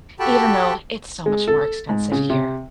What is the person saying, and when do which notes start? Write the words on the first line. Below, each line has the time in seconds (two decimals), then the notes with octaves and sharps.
even though it's so much more expensive here.
0.20 F#4 G4 A4 G5 A5 B5
1.26 G#3
1.48 A4
1.89 G#2
2.12 C#3
2.30 C3